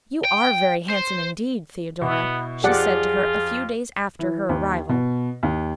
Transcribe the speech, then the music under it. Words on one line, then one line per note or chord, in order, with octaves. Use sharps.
"You are very handsome, indeed, Theodora," she said to her a few days after her arrival.
G5
C5
B2 B3 E4
F2 F4 G4 G#4 D5 F#5
E3
D#2
B2
D#2